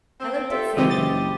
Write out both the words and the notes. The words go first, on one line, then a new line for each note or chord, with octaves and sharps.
I looked at Sandy.
C4
F4 G4 A4 E5
G#1 C#3 E3 C4 E4 G4 C5 D#5
F#1 A6